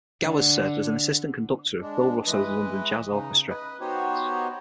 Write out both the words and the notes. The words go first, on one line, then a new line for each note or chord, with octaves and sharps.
Gowers served as assistant conductor of Bill Russo's London Jazz Orchestra.
D3
G#3 D4
E3 G#3 B4 D#5
C#3 D#4
B4 D#5
B3 D#4 F#4 G4 C5 C#5